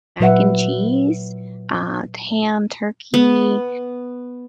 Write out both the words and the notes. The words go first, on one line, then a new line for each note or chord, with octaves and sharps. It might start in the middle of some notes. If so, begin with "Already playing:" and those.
mac and cheese, uh, ham, turkey,
A#2 F#3 B4 E5 F#5
B3